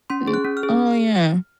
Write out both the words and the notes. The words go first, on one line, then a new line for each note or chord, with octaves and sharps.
M oh yeah.
C#4 C6
G#4
F#6
C#4
F6
G#4